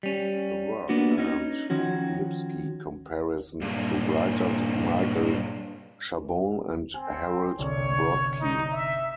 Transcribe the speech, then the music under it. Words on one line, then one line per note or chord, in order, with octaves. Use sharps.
The work earned Lipsky comparisons to writers Michael Chabon and Harold Brodkey.
G3 C#4
A#3 B3 D4 F#4
C#4 D#4
D#3 F3 C#4 F#4
G2 A#2
C4 G#5
G1 C2 C#5 D5
D#4
E5